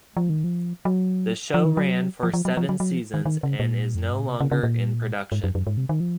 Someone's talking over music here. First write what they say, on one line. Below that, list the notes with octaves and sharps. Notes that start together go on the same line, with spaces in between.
The show ran for seven seasons and is no longer in production.
F3
D#3
F3
F#3
F3
D#3
F#3
F3
F3
F#3
F3
F#3
F#3
F3
D#3
D#3
C#3
A#2
F2
F#2
G#2
A#2
C3
C#3
C#3
A#2
G#2
F#2
F#2
G#2
C3
D#3
F3